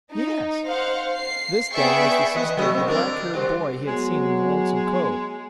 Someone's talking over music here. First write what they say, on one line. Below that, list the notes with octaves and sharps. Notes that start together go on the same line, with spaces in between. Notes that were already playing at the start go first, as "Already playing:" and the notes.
"Yes." This, then, was the sister of the black-haired boy he had seen in the Lonesome Cove.
D#4
C5 F5 F#5
C7
B3 G#4 D5 E5 G5 C#6
E3 B4 D#5
F#3 A3 D#5
A#2 C4
D3 D4 A#4
G3 F#4 C5
F#3 G#3 B3